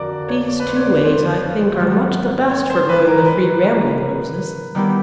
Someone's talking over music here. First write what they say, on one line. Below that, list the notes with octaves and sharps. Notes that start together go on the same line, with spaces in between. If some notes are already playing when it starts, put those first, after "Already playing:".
These two ways I think are much the best for growing the free, rambling Roses.
Already playing: F2 D3 F3 F#4 A#4 D5
C#5
D5
B4
C5
C#5
D5
C5
G#2 D#3 F#3
C#5
C5
B4
A#4
B4
A#4
D#3 G3 B3 E4 G4 A#4